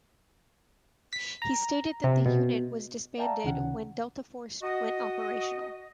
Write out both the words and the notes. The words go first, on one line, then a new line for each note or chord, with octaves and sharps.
He stated that the unit was disbanded when Delta Force went operational.
B6
A#5
C3
B2
D5 E5 F5 G5 A5 A#5
C#2 C3 D#3 C#4 F#5
F#4 D#5